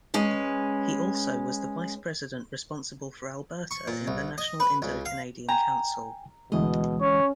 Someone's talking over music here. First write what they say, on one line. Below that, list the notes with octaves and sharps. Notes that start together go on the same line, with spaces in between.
He also was the vice-president responsible for Alberta in the National Indo-Canadian Council.
G#3 C#4 B4
C#6
A#2
C2
D#5
B4
C#2
F5
G5 G#5 A#5
D2 B2 E3 G#3 D#5
C#4 C#5